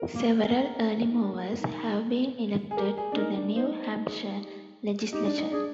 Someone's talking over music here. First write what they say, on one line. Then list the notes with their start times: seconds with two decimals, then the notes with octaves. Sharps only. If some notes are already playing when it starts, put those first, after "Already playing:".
Several early movers have been elected to the New Hampshire legislature.
Already playing: A#4
0.15 A#3
0.41 C4
1.10 D#4
1.20 D4
1.59 D#4
2.71 G#4
2.77 G4 A#4
2.97 G#4
3.12 D4
3.16 D#4 A#4
3.36 D4
3.56 D#4 C5
3.82 C5
4.08 G#4
4.35 G4
5.13 D#4 G4
5.25 D4
5.38 D#4
5.52 D4 G#4